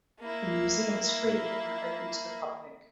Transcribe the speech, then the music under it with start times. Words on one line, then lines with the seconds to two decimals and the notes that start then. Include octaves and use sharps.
The museum is free and open to the public.
0.20 A#3 E4